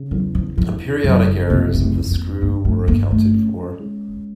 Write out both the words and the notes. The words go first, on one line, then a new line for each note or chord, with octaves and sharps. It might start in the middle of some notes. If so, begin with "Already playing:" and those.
The periodic errors of the screw were accounted for.
Already playing: C#3
E2 F#3
F3
E3 F3
F#1 F#3
C3 A#3
A#3
A3
F2
A#3
G1 A#3
A3
G1 A#3
A3
C#4
G#3